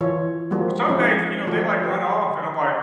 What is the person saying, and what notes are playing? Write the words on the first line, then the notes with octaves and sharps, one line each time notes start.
Well some days, you know, they, like, run off, and I'm, like
E3 F4 C#5
F3 G3 G#3 A#3 F#4
F3 G#3 C4 C#4 D#4 E4
F3 A3 F#4
G4 B4